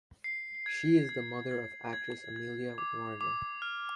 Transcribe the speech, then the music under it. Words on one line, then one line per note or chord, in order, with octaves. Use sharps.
She is the mother of actress Amelia Warner.
C7
G#6
G#6
G#6
G#6
G#6
D6
D6
F6